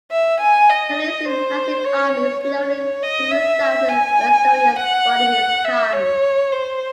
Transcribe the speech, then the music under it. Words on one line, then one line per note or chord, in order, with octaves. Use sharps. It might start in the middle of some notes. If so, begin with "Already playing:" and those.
He leads his massive army slowly through southern Westeros, biding his time.
E5
G#5
D#5
C5
C#5
C#5
D#5
E5
G#5
F#5
E5
C#5
C5